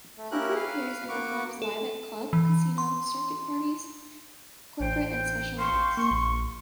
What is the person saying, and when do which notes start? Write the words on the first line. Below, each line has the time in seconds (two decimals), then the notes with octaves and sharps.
Cooper appears and performs live at club, casino, circuit parties, corporate and special events.
0.18 A3
0.31 A#3 C#4 E4 G4 A#4 F#6
0.55 B4 F5
1.09 A#3 F#4 C#6 D6
1.62 A4
2.33 E3
2.78 C6
4.80 A1 C5 G5
5.58 F5 G5 C6 C#6
5.97 A#3 C#6
6.11 A#1